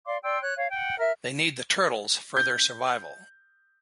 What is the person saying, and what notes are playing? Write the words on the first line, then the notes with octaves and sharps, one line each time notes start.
They need the turtles for their survival.
D5 F5 C6 D6
D5 G5 C6 E6
C#5 F#6
C#5 F5
F#5 G5
A#4 E5 F6
G6